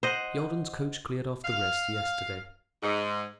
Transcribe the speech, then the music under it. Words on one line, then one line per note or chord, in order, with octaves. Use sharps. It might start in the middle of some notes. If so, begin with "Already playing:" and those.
Yalden's coach cleared off the rest yesterday.
C5 D#5 F#5
F5
G#2